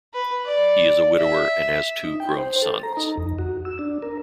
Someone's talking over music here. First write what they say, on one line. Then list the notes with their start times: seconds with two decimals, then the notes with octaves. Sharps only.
He is a widower and has two grown sons.
0.14 B4
0.46 D5
1.18 E5
2.04 D#4
2.20 G5
2.37 C5
2.62 A4
2.83 A#5
2.97 D#4
3.17 F2
3.39 F#4
3.65 E6
3.79 D4
4.02 A#4